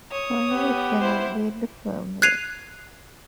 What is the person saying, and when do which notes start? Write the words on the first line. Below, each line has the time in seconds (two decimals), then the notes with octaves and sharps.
Finally it can update the firmware.
0.11 C#5 D#6
0.49 B3 G4
1.00 E4 C5
2.22 F#6 G#6 C7 D#7 F7